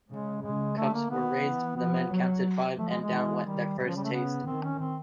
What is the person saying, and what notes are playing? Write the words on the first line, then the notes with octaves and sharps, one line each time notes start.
Cups were raised, the men counted five and down went the first taste.
C#3 G#3
C#3 G#3
D3 A3
A#3
D#3 B3
E3
F3 B3
F#3
F3 A3
G#3
G#3
E3
D#3 G3
C#3 G3
F3
G3
A3
B3
D#3 C4
C#4
C4